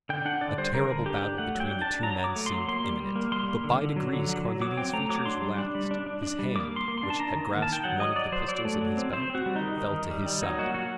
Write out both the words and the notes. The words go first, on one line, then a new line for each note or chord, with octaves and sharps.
A terrible battle between the two men seemed imminent; but by degrees Carlini's features relaxed, his hand, which had grasped one of the pistols in his belt, fell to his side.
D3 G5
D4 F#5
D3 D5
G3 C5
D3 A#4
D3
D4 G4
D4
A3 F#5
F#3
G5
D4
A5
D4
F#3 A#5
F#3
D6
A3
C6
F#3
A#3 C6
G3
G3
A#3
G3 C6
A#3
D3
D3
F#3
D3
F#3
F#3
F#3 D6
C4 G5
A3 A#5
F#3 D6
D4 C6
G3
D4
G3
D4
D4
D4
G3
A#3 D6
A#3
C6
A#3
C6
D4
A5
D4 A#5
D#3
A#3
A5
D#3 G5
F#3 F#5
F#3 D#5
F#3 D5
F#3 C5
F#3 D5
A3
F#3
C4
C4 C5
C4
F#4
G3
D#4
D#3
D#3
D#3
G3
G3
F#3 D#4
A#3 F#4
F#3 F#4